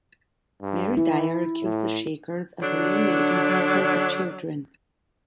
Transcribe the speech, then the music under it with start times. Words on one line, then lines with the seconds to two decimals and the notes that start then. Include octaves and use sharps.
Mary Dyer accused the Shakers of alienating her from her children.
0.62 G2
0.97 E3 E4
1.62 A2
2.62 D3 F#3 D4